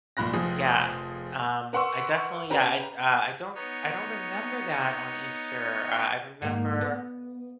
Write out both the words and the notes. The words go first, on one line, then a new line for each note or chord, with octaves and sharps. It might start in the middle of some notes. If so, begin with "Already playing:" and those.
yeah, um, I definitely yeah, I I don't I don't remember that on Easter, uh, I remember
F1 A#2 B5 F#6 A#6
F1 F3 G#4 D#6
A#4 B4 F#5 C6 C#6 E6
C#4 G4 B4 A#5
B3 D#4 C#5
G#2 A#3
B3